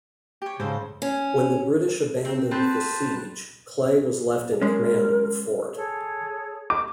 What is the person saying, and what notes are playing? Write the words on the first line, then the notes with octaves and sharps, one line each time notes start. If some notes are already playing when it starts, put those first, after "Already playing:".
When the British abandoned the siege, Clay was left in command of the fort.
G4 C#5
G#2 C#3 A4 C5
C#4
C4
C4 B4 C5 A5
G#3 C#4 A#4
G#4 A4 C#5
D6